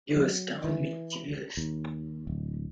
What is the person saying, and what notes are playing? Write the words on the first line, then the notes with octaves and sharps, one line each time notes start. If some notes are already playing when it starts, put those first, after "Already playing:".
You astound me, Jeeves.
F#3
E3
D#2
D1